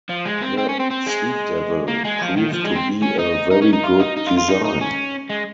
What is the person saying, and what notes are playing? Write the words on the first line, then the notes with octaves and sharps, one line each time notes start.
The "Sea Devil" proved to be a very good design.
F3
G#3
C4
C4
C#4
C4
C4
G#3
A#3
G#3
F3
D#3
F3
G#3
C4
C#4
D#4
D#4
C#4
D#4
F4
D#4
D#4
F4
F4
D#4
D#4
C#4
G#3